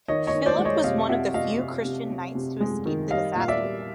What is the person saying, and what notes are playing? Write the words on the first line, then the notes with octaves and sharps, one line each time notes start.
Philip was one of the few Christian knights to escape the disaster there.
D#3 C#5 D#5
C#5 D#5
D#3
C5 D5
G#3
C#5 D#5
C3 D#5 F5
C3 E5 F#5
C3 D#5 F5
C3
C3
C3
C3
G#3
D#3
G3 D#5 F5
A#2 F5
D5 E5
G3